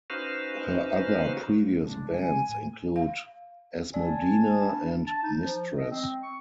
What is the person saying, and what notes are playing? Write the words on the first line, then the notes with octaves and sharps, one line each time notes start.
Her other previous bands include Asmodina and Mistress.
C#4 D#4 F#4 B4 C5 F5
B1 G#2 C#3 D4
C3 F3 G#3
G#5
A2
F5
D5 G#5 A5
D4
A5
D#4
F3
D#5
C4
C#6